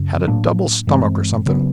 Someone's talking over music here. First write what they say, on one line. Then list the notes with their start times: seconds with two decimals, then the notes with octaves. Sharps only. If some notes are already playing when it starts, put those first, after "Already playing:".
Had a double stomach, or something.
Already playing: F#2 C#3
0.27 A2 F#3 A#3 D4
0.87 G2 E3 G#3 C4
1.46 C#3 F#3 B3